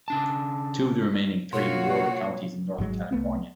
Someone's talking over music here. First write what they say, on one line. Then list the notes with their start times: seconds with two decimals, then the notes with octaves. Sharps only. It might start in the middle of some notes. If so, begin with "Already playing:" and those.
Two of the remaining three are rural counties in Northern California.
0.08 C#3 D4 A5
1.53 B2 A#3 F4 F#4 C#5 F#5
2.78 G#1 G#2 F#3 G#3
3.11 C2 A3 B3 C4